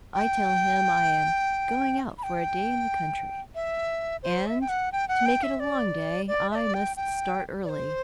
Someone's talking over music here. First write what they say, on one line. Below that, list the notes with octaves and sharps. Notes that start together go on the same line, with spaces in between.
I tell him I am going out for a day in the country, and to make it a long day, I must start early.
G5
B5
G5
E5
C5
E5
G5
F#5
G5
F#5
G5
E5
D5
D5
E5
D5
G5
G5
D5
C5